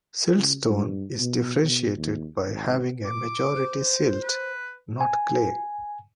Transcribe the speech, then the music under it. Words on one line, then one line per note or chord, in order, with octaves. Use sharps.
Siltstone is differentiated by having a majority silt, not clay.
C#3
G2
B2
B2
D#2
G#1
D6
C5
B4
G#5